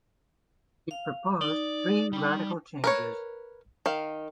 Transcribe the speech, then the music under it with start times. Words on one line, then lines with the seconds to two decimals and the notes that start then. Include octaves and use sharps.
He proposed three radical changes.
0.91 F5
1.41 D#4 D5
2.13 G3
2.84 A#4 B4 C#5
3.86 D#3 F5